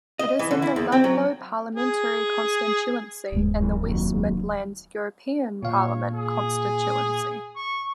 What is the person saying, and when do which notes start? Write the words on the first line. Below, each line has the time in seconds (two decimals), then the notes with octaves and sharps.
It is in the Ludlow parliamentary constituency and the West Midlands European parliament constituency.
0.19 D#5
0.39 E3
0.51 D3
0.62 E4
0.76 E2
0.92 C4
1.04 F#3
1.75 G#4
3.32 D1 G2 G#3
3.60 F#2 E3
3.83 F1 D#2 F#3
5.63 A#2 C#5 F5
6.15 G#4
7.56 C#6